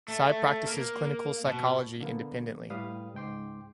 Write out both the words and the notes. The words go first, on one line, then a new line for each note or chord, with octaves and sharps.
Tsai practices clinical psychology independently.
A3
A#3
B2
D3 A#3 B3
A2 G3 B4 F5 D#6
C#2 G#2 G5 C6 D6